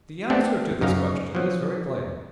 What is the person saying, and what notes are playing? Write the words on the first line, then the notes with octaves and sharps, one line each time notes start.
The answer to this question is very plain.
A3 B3 C4 D4 G4 A4
F#2 C#3 D#4 F5
F3 F#3